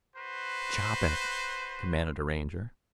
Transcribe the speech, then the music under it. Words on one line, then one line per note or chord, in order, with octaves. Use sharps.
"Chop it!" commanded a Ranger.
F#4 B4 C5